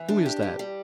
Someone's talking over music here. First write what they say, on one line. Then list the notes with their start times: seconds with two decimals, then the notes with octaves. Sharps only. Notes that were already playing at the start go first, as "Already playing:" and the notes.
Who is that?'
Already playing: E3
0.08 D4
0.26 G4
0.43 G3
0.59 G3